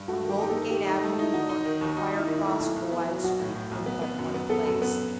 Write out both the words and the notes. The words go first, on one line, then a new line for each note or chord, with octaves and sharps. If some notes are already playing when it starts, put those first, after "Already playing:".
From Golden Gate Avenue north the fire crossed the wide street in but one place.
Already playing: G2
A3 F#4
D#3
G4
D#4 G4
A4
D#3
A3 G4
D#4
A3
D#4 E4
D#4 F#4
D#4
D#3
D#2
D#4 F#4
D#4
E4
D#3
E4
A3
B1 E4
B1
B3
F#3
B1 F#4
A2
A2
B1
B3
B3
F#2
B3
B3 A4
F#2
B3